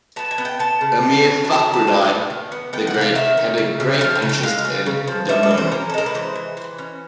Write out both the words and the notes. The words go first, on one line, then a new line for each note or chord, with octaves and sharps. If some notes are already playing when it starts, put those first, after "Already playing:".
Emir Fakhreddine the Great had a great interest in Damour.
B3 A5
G#5
B3
G5
B3 A5
C#3
B3
C#3
F#3 A5
A#5
C#3
A5
G#3 G#5
B3
D#3
B3
B3 G5
F#5
C3
F5
D#3 E5
D#3
C#3
C#3
F3 F5
G5
C#3
G5
G#3 F5
C#3
C#3
F3
C#4 E5
D5
E3
C5
C#4 A#4
A4
G#3 A#4
B4
E3 C5
E3
E3
C#4